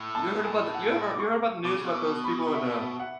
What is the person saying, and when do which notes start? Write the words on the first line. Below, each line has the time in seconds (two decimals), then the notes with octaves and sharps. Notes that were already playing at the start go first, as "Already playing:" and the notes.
You heard about the you ever you heard about the news about those people in, uh,
Already playing: A2
0.15 A5
0.45 G#5
0.74 F#5
1.12 D6
1.20 C#6
1.64 B2 D6
1.75 C#3
1.85 B2
1.94 D6
2.24 B5
2.54 E5
2.99 F#5